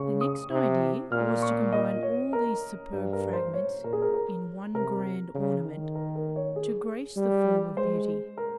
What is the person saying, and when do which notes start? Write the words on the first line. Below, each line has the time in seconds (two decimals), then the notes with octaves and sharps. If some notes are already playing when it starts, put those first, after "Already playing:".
The next idea was to combine all these superb fragments in one grand ornament to grace the form of beauty.
Already playing: C#3 C#6
0.21 D#6
0.51 C3
1.12 A#2 F6
1.42 C#6
1.72 D#5
2.03 C#5
2.33 A#4
2.93 G2
3.13 A#4
3.33 C5
3.54 C#5
3.84 A#2 A#4
3.93 G#4
4.02 A#4
4.14 A#4
4.75 C3 A#4
5.35 C#3
5.65 D#3
5.95 A#4
6.16 A#4
6.36 C#5
6.56 G#4
7.16 G3
7.76 G#3 C5
8.37 A#4